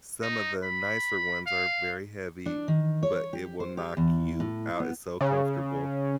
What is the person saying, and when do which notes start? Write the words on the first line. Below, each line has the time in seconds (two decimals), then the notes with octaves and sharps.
some of the nicer ones are very heavy, but it will knock you out, it's so comfortable,
0.22 D#4
0.63 B5
1.47 F5
2.46 D4
2.68 D#3
3.03 C#5
3.33 G4
3.60 C5
3.77 G4
3.97 E2
4.40 A2
4.80 B3
5.21 C#3